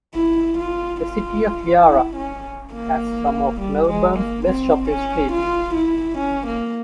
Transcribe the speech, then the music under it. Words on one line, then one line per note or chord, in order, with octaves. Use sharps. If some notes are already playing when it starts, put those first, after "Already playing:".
The City of Yarra has some of Melbourne's best shopping streets.
E4
F4
F4
E4
C#4
A#3
G3
G#3
A#3
C4
C#4
F4
E4
C#4
A#3